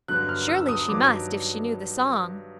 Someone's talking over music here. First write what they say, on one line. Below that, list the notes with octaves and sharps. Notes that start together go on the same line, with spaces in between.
Surely she must if she knew the song.
G2 D3 F#3 F#6
F6
E6
D#6
G2 D#3 F#3 D6